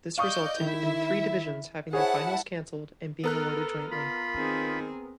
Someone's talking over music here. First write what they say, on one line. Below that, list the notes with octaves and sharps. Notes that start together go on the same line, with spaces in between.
This resulted in three divisions having their finals cancelled and being awarded jointly.
D5 D#5 F5 C#6 D#6 G6
D#3 E4 E5
E4 G#4 C5 C#5 F#5 A5
B3 A4 A#4 F#6
F4 B5
D#3 C4 G#4